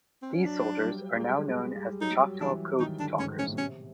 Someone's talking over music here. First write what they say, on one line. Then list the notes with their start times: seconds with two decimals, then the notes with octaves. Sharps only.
These soldiers are now known as the Choctaw code talkers.
0.22 C4
0.34 C#4
0.45 F#3 D4
0.85 G3
1.16 G#3
1.24 G3
1.50 G#3
1.76 G3
2.01 F#3 D#4
2.11 G3
2.21 F#3
2.40 E3 D4
2.80 D#3 D#4
3.00 D3 D4
3.19 G#2 C#4
3.38 A2 C#4
3.52 B2
3.58 C3 C#4